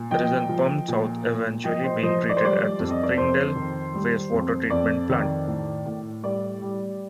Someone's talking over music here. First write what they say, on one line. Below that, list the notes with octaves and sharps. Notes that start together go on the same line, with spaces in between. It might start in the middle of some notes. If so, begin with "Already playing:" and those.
It is then pumped south, eventually being treated at the Springdale Wastewater Treatment Plant.
Already playing: A#2
F3 D#5 G5
F3
A#2
A#2
F3 D#5 G5
C5 D#5
F3 C5 D#5
D#5
D5
C5
G3 D5
F2
D#5
D5
F2 C5
D#3
G3
F2
F2 D5
D#3
A2
A2
G3 D5
G3